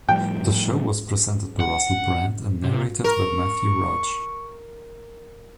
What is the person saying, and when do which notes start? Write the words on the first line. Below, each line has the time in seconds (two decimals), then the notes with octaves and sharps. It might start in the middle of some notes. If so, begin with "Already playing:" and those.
The show was presented by Russell Brand and narrated by Matthew Rudge.
0.09 A2 F3 G3 G5
1.60 F#5
2.64 C3
3.04 A#4 C#6